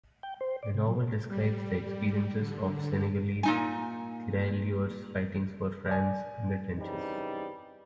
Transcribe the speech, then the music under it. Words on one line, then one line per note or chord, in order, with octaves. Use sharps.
The novel describes the experiences of Senegalese Tirailleurs fighting for France in the trenches.
G5
C5
D5
C3
F#3
G3
D3
A#2 D#4 G#5
D5 G#5
C#3 E3 G3 C4 D#4